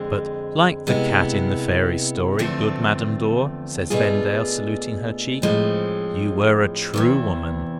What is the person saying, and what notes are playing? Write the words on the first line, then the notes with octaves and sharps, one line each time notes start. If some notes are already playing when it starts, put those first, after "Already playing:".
But like the cat in the fairy-story, good Madame Dor," says Vendale, saluting her cheek, "you were a true woman.
Already playing: F2 D3 G#3 C4
C3 G#3 B3 E4
E2 D3 F3 A3 C4
B2 A3 D4 F4 G#4
A2 F3 G#3 C4
E2 C3 E3